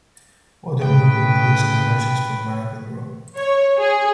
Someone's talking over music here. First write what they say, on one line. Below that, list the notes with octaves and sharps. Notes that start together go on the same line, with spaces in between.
Other work includes commercials for Miracle-Gro.
A2 C#3 B4 G5
C#5
G#4